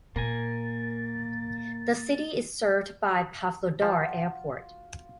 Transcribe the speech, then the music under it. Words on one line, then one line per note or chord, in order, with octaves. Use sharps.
The city is served by Pavlodar Airport.
A#2 A#3 A#4 G#5 A6
F3 F4 F#4